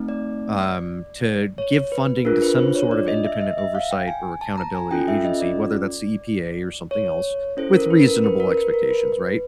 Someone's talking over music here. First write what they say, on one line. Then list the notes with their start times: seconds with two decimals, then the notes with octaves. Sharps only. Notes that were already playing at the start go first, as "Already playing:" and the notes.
um, to give funding to some sort of independent oversight or accountability agency, whether that's the EPA or something else, with reasonable expectations, right,
Already playing: A3 C4 D#4
0.09 D5
1.58 C#5
1.92 B4
2.25 D4 F4 G#4 A#4
2.42 B4
2.58 C5
2.75 C#5
2.91 D5
3.08 D#5
3.24 E5
3.41 D#5
3.58 E5
3.75 F5
3.91 G5
4.08 G#5
4.41 A5
4.58 A#5
4.75 G#5
4.91 C#4 F4 A4 G5
5.08 E5
5.25 D#5
5.41 D5
6.91 C#5
7.57 C#4 E4 A4 C5
7.74 A#4
7.90 B4
8.07 A#4
8.24 B4
8.40 A#4
8.57 B4
8.74 A#4
8.90 B4
9.12 B4